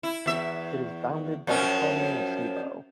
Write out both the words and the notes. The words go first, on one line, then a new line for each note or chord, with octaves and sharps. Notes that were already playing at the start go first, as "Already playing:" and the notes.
It is bounded by the commune of Cevo.
E4
E2 E5
F#2 F3 C#4